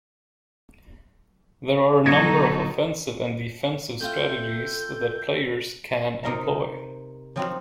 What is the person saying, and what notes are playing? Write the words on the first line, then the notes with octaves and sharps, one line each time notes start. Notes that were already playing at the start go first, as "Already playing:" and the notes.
There are a number of offensive and defensive strategies that players can employ.
B2 D3 F#3 D#4 A4 G#6 A#6 C#7
A3 C4 F4 A4 G6
C3 D#4 A#4 A#5
F3 F#3 C4 D#4 F4 F#4